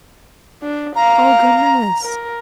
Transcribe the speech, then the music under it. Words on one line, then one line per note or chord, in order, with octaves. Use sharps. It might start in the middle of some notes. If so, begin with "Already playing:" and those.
Oh, goodness.
D4
F5 A#5
A#4